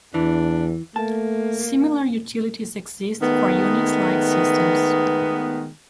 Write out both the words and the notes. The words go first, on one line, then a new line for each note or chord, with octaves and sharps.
Similar utilities exist for Unix-like systems.
E2 E3 D4
A3 A#3 A5
D#3 G#3 A3 B3